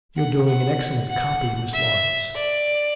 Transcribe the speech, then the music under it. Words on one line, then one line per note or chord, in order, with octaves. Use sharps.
'You're doing an excellent copy, Miss Laurence.'
F#5
F#5
F#5
E5
D5